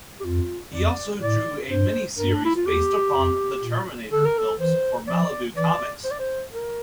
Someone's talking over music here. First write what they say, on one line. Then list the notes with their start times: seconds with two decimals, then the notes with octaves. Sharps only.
He also drew a mini series based upon "The Terminator" films for Malibu Comics.
0.21 G4
0.25 F2 F4
0.74 F2 D5
1.22 A2 D5
1.70 G2 C5
2.18 G2 A#4
2.33 D4
2.45 E4
2.56 F4
2.66 E2 G4
3.15 F2
3.63 A#2
4.11 D3 A4
4.25 A#4
4.38 A4
4.59 E3 C5
5.08 F3 D5
5.56 E3 D5
6.04 C5
6.11 D5
6.19 C5
6.53 A#4